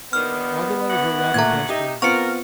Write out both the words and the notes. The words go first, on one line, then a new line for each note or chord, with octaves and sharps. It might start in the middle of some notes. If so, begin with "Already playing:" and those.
All the letters were read and passed around.
G2 A#2 D#3 B3 F6
F#2 E3 F#5
A#2 A3 A#5 G#6
D#4 G4 E5
B3 C4 F4 A#4 C#6 C#7